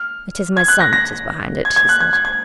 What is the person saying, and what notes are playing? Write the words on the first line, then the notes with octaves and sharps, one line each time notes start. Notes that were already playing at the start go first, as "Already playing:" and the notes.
"It is my son that is behind it," he said.
Already playing: F6
G#6
F#6
A#6
A#6
G#6
G#6
F#6
G#6
G#6
G#6